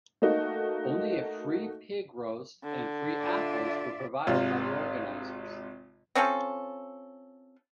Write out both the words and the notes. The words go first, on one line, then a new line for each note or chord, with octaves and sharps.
Only a free pig roast and free apples were provided by the organizers.
A3 A#3 D#4 F#4
D3
F4 D5 E5
G#1 C3 F4
C4 C#4 F4 A4